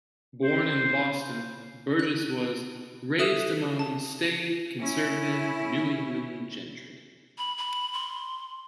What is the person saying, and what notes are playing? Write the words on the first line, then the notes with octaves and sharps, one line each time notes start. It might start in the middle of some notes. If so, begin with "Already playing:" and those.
Born in Boston, Burgess was "raised among staid, conservative New England gentry".
C5
F#6
A4 E5 D#6 F#6 E7
A5
C#4 E4
B5
B5
C6